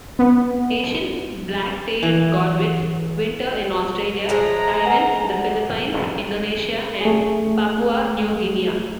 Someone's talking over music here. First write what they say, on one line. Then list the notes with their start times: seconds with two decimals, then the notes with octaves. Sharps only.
Asian black-tailed godwits winter in Australia, Taiwan, the Philippines, Indonesia, and Papua New Guinea.
0.19 B3
2.03 E3
4.29 F3 G#3 A3 A#5
4.85 B4 F#5 G#5
7.01 A3 G#4